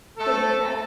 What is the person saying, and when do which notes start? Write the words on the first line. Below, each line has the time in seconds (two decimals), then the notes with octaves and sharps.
sitting at
0.17 A3 A4